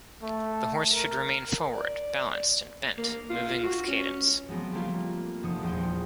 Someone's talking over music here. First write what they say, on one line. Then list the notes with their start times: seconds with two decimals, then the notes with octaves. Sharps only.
The horse should remain forward, balanced, and bent, moving with cadence.
0.23 A3
0.93 A#4
1.73 D5
2.98 A#3
3.30 F4
3.64 F#4
3.88 C#4
4.48 F3 F#3 G#3 B3 C4
4.73 G3 A3 A#3 F4
5.43 F1 F3 D#6 C#7
5.63 A#1 E2 F4 C5 G5 D#6